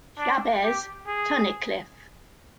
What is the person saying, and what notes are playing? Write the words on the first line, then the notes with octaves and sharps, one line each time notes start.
Jabez Tunnicliff.
D4
G4
G#4